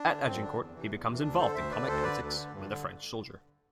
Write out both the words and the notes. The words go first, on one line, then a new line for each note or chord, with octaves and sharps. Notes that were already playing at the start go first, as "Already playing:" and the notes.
At Agincourt he becomes involved in comic antics with a French soldier.
Already playing: D4
D3
F#2 C4
D3 D4
E2
C3 E3
E2
C3 E3
D2 D4
D3 A4 C5
D2 C5 E5
D3 B4 D5
D2 A4 C5
D3 B4 D5
D2
D3
G2
D3